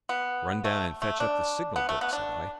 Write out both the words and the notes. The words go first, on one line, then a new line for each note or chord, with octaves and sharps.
"Run down and fetch up the signal-book," said I.
B3
A3
A3
D4
B3
A3
B3
D4